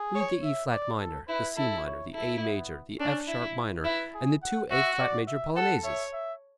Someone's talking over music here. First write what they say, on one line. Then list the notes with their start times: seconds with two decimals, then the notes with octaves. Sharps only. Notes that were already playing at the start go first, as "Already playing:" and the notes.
Read the E flat minor, the C minor, the A major, the F sharp minor and the two A flat major Polonaises!
Already playing: G#4
0.15 C#5
0.43 E5
0.71 D5
1.00 A4
1.28 E4 B4
1.57 E4 A4
1.86 C#5
2.14 E4 A4
2.43 B3
2.99 C#4 D4
3.28 E4
3.84 E4 B4
4.14 G#4
4.42 F#5
4.71 F#4 E5
4.99 D5
5.28 E5
5.56 A4 F#5
5.84 C#5 E5
6.13 E5